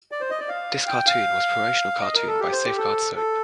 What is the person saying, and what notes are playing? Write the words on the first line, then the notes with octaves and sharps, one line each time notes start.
This cartoon was promotional cartoon by Safeguard Soap.
D5
C5
D#5
D5
F5
G5
F5
D#5
A#4
A4
G4
C5
G4
A4
A4